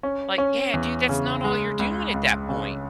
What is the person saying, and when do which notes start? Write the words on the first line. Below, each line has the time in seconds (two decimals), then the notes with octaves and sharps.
Like, "Yeah dude, that's not all you're doing at that point."
0.03 C#4
0.38 C#4
0.73 E2
1.09 C#3
1.44 G#3
1.79 C#2
2.14 C#2
2.49 C#3